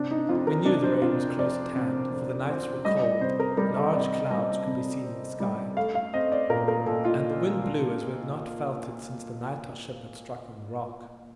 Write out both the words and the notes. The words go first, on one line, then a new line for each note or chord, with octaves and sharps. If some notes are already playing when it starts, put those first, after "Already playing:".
We knew the rain was close at hand, for the nights were cold; large clouds could be seen in the sky, and the wind blew as we had not felt it since the night our ship had struck on the rock.
Already playing: C3 D4
D#4
F2 F4
A#4
C3 D4
C5
C3 F4
F2 D5
C3
F2
C4
G3 D#5
D5
C3 C5
A#4
G3 A#4
A4
C3 D5
D#5
G3 D#5
C3
C4
G3
A3 F5
F5
C4 D#5
D5
A#2 A#4
A#4
A#2 A4
F4